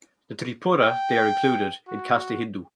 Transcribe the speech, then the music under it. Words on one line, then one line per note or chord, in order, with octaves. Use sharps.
In Tripura they are included in Caste Hindu.
G5
F#4